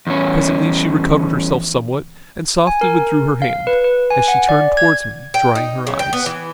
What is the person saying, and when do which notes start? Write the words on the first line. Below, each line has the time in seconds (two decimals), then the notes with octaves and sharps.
Presently she recovered herself somewhat and softly withdrew her hand, as she turned towards me drying her eyes.
0.07 E2 C#4
2.67 G#5
2.81 A#4
3.42 F5
3.67 B4
3.84 B4
4.10 G#5
4.28 F#5
4.49 D5
4.77 G#6
5.34 G5
5.55 D#4
5.87 C#3
5.99 G5
6.13 B3
6.26 E3